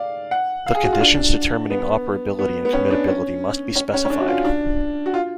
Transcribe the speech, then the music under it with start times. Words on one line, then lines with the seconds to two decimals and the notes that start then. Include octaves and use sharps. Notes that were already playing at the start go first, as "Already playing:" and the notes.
The conditions determining operability and committability must be specified.
Already playing: D5 F5
0.31 F#5
0.67 F5
0.75 G#4
0.83 F#4
0.93 F4
1.01 D4
1.70 B3
2.39 B3
2.65 B3
2.73 C#4
2.91 D4
3.07 C#4
3.76 C#4
3.94 C#4
4.05 C#4
4.10 D4
4.20 F#4
4.28 F4
4.45 D4
5.06 F#4
5.14 F4